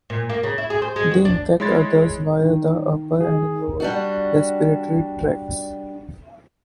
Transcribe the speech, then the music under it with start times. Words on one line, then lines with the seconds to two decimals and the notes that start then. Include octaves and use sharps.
They infect others via the upper and lower respiratory tracts.
0.10 A#2
0.30 A#3
0.43 C#3
0.58 E4
0.70 G#4
0.82 C5
0.96 G#3
1.12 F#4
1.25 D4
1.60 G#3 E4 C#5 C6 G#6 A6
2.39 D#3
3.21 G#4
3.80 G3 D4 F#4